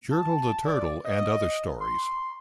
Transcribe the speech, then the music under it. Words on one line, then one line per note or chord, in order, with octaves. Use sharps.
"Yertle the Turtle and Other Stories".
A5
D5
D#5
C6